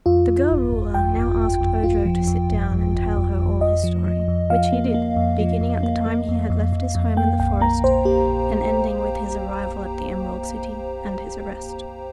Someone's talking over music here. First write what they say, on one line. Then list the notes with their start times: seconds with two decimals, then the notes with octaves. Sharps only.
The girl Ruler now asked Ojo to sit down and tell her all his story, which he did, beginning at the time he had left his home in the forest and ending with his arrival at the Emerald City and his arrest.
0.06 F2 F4
0.28 F2
0.50 G1
0.72 G1
0.94 F2 G5
1.16 G1
1.39 G1
1.61 F2
1.83 G1 F4
2.06 F3
2.27 F2
2.50 G1
2.72 F2
2.95 G1
3.17 F2
3.39 F2
3.61 F2 D#5
3.84 F3
4.06 F3
4.28 F2
4.50 F3 F5
4.73 A#3
4.94 A#3
5.16 F2
5.39 F3
5.61 F2
5.83 A#3
6.06 A#3
6.29 F2
6.50 F2
6.73 F2
6.95 F2
7.17 A#3 G5
7.39 A#1 G5
7.61 A#3 A#5
7.83 A#1 C5
8.05 A#3 G4
8.28 A#1